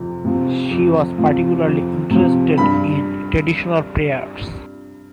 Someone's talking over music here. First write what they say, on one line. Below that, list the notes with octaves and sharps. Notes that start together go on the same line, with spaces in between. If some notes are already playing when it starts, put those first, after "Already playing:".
She was particularly interested in traditional prayers.
Already playing: F2 C3
C3 F3
F2
C3 F3
F2
C3 F3
G2 B5